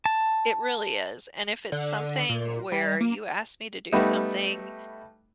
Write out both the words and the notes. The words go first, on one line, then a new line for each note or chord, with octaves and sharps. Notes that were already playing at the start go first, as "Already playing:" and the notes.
It really is. And if it's something where you ask me to do something,
A5
D3
A#2
G3
A#3
G3 A3 B3 D#4